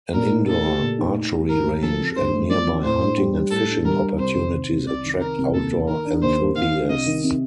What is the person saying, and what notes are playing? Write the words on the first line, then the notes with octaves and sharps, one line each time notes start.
An indoor archery range and nearby hunting and fishing opportunities attract outdoor enthusiasts.
A#2 A#4
D#4
A3 A4
G4
A#2
D#4
A3
G4
G2 A#4
A3
F3 A4
C4
G2 C5
A3
F3 D5
C4
A2 C5
D4
G3
G4
A2 A4
D4
G3 A#4
G4
C2 C5
D#3
C3
C2
C2 D5
D#3
C3 A#4
C2
D#2 A4
A#3
D#3 A#4
D4
D#2 C5
A#3
D#3 F5
D4
C2 D#5
D#3
C3